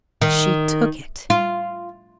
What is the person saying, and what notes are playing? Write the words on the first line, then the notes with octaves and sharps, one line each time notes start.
She took it!
D#3
F4